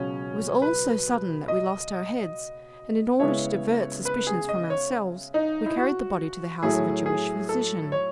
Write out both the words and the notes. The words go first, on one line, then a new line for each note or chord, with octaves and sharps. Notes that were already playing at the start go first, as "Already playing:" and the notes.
It was all so sudden that we lost our heads, and in order to divert suspicion from ourselves, we carried the body to the house of a Jewish physician.
Already playing: C#2 B2 F#3 C#4
B4
D#5
C#3 G#3 B3 E4 C#5
B4
G#4
D#5
C#5
D#4
E4
F#4
A2 F#3 A3 E4 G#4
G#4
A4
C#5